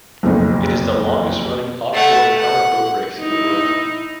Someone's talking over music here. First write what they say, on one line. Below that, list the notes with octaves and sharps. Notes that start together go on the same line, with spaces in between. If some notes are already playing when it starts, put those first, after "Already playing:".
It is the longest-running offshore powerboat race in the world.
F#1 B1 F2 D#4
A3 F#5
F#5
D#4 E4